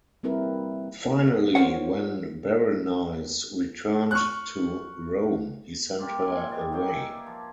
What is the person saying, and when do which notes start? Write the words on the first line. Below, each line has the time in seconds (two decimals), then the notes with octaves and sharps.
Finally, when Berenice returned to Rome, he sent her away.
0.23 G3 A#3 C4 E4 A#4 B4
1.55 F4 A#4 C5 C#5 F#5
4.11 C#6 F6 F#6
5.99 A#3 F4 G4
6.25 G#3 A#3
6.51 B3 G4 D5
6.72 F#3 A#3 D#4 G5
6.88 G#4 D5 E5
7.26 F3